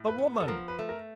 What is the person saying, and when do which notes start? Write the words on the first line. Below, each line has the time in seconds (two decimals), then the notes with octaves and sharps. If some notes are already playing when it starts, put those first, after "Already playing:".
The woman!
Already playing: A2
0.08 B4
0.18 B3
0.40 A4
0.48 F3 A#4
0.68 B4
0.79 A3
0.89 A#4